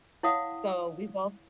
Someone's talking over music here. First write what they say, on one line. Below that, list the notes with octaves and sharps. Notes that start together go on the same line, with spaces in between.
so we both
E4 C#5 F5 F#5 D#6